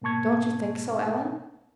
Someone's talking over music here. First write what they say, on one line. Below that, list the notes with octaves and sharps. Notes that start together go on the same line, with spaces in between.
"Don't you think so, Ellen?"
G#2 B2 A#3 A5 C#6 G#6